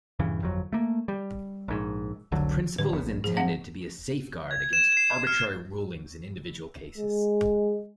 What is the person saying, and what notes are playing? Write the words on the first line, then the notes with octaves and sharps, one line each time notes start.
The principle is intended to be a safeguard against arbitrary rulings in individual cases.
D#1 G2 C#3 E3
G1 F2 F#3
A3 A#3
G3
A#1 G#2
F1 C2 D3 F#3
A2 D3 G3 B4
F1 B2 B3
A#1
G#2 F3 G#4
C4 F5 F#5
G#6
E7
C7
E7
F6
G#3